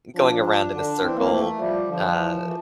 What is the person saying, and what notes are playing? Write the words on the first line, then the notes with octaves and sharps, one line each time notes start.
going around in a circle, uh,
F3 D4
D3
E3 C4
A#3
G3
A3
F3 G3
D3 F3
E3
E3